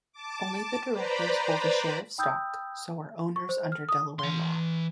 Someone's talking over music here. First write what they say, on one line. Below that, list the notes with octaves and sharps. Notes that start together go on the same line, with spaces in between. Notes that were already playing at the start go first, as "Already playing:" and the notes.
Only the directors hold a share of stock, so are owners under Delaware law.
A5 D6
B4 C5 D5 A#5 B5
G5 B5 D#6 E6 G6
C#6
C5
F6
D#6
E3 C6